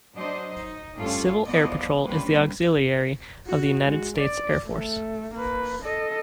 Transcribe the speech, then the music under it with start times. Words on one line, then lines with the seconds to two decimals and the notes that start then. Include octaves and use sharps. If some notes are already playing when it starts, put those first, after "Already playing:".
Civil Air Patrol is the Auxiliary of the United States Air Force.
0.15 F#3 D4 C5 D#5
0.56 D#4
0.96 G2 A3 C#4 F4 G4 A4
1.46 E3 F3 B3 D5 D#5
2.04 G3 A#3 C#4 D4 B4 C5
3.47 F#4
3.84 G#3 F#4
4.17 D5
4.65 A3
5.34 A#3 B4
5.82 A4 D#5